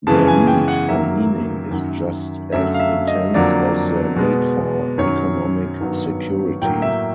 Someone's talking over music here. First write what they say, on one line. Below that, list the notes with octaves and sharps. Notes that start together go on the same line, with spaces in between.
Their need for meaning is just as intense as their need for economic security.
F#2 C#3 E3 G#3 B3 A5
G#5
G5
F#5
F#2 D#3 F#3 A#3 E5
F#2 D#3 F#3
F#2 D3 F#3 A3 E5
F5
E5
D#5
F2 D3 F#3 A#3 D5
B2 G#3 B3
F#2 D#3 F#3 C#5
G2 D#3 F#3 B3
A2 F#3 A#3 G5
E5